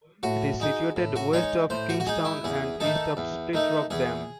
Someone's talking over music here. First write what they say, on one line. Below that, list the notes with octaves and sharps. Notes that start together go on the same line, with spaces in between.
It is situated west of Kingstown and east of Split Rock Dam.
A2 F#4
G#3 D#4
A2
F#4
G#3 D#4 C#5
A2 C5
F#4
F#4
G#3 D#4 G#4
E4
E2 G#4
D#3 A3 D#4 A4
E2
D#3 A3 D#4
E2 G#4